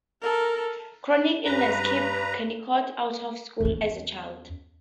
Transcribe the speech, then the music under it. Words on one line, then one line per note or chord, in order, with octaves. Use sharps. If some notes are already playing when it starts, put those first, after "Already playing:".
Chronic illness kept Kennicott out of school as a child.
A4 A#4
G2 B4 A#5
E2 C#4